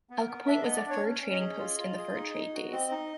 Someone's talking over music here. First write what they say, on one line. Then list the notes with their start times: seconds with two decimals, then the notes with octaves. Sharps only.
Elk Point was a fur trading post in the fur trade days.
0.10 B3
0.19 A#4
0.28 B3
0.47 D4 E5
0.62 B3 D#5
0.76 D5
0.85 D4 C#5
1.04 C#4
1.22 C#4
1.32 D#5
1.40 G#4
1.59 F4
1.78 F4
1.98 G#4
2.15 D#4
2.34 D#4
2.54 F#4
2.72 C4 D#5
2.91 D#4